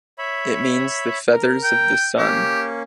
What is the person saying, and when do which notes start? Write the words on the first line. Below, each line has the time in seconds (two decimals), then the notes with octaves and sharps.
It means the feathers of the sun.
0.18 C#5 E5 B5
1.32 A#4
1.64 G5
2.18 A#3 C#4 G4